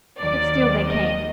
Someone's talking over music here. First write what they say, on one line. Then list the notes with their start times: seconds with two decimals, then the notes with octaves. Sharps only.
But still they came.
0.19 D#2 D#3 F#3 D5
0.87 D#5